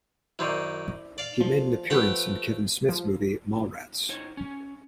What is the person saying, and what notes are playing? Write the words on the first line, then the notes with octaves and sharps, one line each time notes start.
He made an appearance in Kevin Smith's movie "Mallrats".
F#2 D#3 E4 C5 D5
D5 F5
F3
F3 A3 G4 B4 F#5
F3
D#4 C5 C#5
C#4